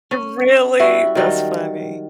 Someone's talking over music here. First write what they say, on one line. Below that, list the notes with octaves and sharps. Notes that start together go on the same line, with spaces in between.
Really? That's funny.
C#4
G3 E4 F#4 E5
D#3 F#3 G3